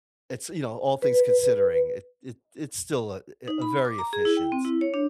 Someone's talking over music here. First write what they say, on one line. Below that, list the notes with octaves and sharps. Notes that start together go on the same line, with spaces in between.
it's, you know all things considering, it it it's still a eh a very efficient
B4
D#4
B5
D6
A#5
G#4
E4
G5
C4
E4
C#5
D4